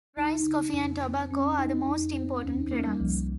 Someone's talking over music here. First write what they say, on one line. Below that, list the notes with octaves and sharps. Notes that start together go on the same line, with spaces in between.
Rice, coffee and tobacco are the most important products.
C#2 D#4
D#4
C#2
F2
C4
F2 C#4
D#4
F2 D#4
C4
D#2 C#4
D#4
A#3 C#4
G3
C2 F3